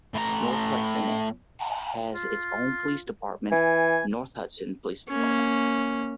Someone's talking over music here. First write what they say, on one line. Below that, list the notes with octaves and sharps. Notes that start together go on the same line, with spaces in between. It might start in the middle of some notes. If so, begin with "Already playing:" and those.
North Hudson has its own Police Department, North Hudson Police Department.
A2 A#5
F4
E3 G#5
A#3 C#4